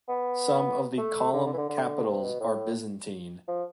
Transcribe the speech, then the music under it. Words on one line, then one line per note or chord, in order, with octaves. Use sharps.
Some of the column capitals are Byzantine.
B3
A3
D3
D3
E3
D3
D3
C3
B2
A2
F3